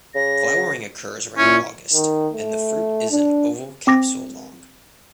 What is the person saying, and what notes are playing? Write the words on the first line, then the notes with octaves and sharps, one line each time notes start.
Flowering occurs around August and the fruit is an oval capsule long.
C#3 A#6
A#2 C#4 E4
D#3
A3
D4
C4 D6 A#6